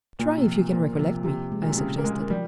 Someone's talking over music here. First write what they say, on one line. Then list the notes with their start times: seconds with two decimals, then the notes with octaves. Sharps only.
"Try if you can recollect me," I suggested.
0.19 A#2 A#3
0.37 C3
0.46 F3
0.72 A#2 A#3
0.99 C3 F3
1.24 C3 G4
1.52 G#3
1.63 A#2
1.70 C3
1.77 C#3 G4
1.98 A#3
2.04 G#3 A#4
2.30 F3 G3